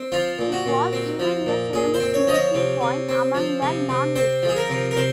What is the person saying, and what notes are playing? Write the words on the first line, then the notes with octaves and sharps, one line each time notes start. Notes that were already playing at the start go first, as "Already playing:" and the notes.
It was even a famous meeting point among the non-literate.
Already playing: C4
F3 F4
A#2
F#4
A#2
C4
F3
A#2
A#2 G#4
C5
C4
C#5
F3 D#5
C#5
C3
C3
C4
F3
C3
C3
C4 C5
F3
G#4
A#4
C3
A#4
C3 C5